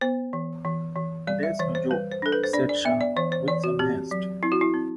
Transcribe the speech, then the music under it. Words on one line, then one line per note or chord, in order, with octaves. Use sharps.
"There's no joke," said Shah, with some haste.
B3 C5
E3
E3
E3
G3 D5
E5
E3 C5
C5
G3 B4
C5
D4 A4
B4
C5
D4 D5
D5
B3 E5
D5
E3 C5
C5
E3 D5
F#4
C4 G4
F#3
C4 E4
F#4
E4
C4